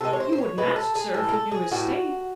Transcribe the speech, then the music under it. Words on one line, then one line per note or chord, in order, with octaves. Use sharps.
'You wouldn't ask, sir, if you knew his state.
C3 E3 G#3 A4
C#5
C5
C5
C#5
C3 E3 G#3 B4
A4
G#4
A2 E3 G3 A4
A#4
A4
G#4
A2 E3 G3 F#4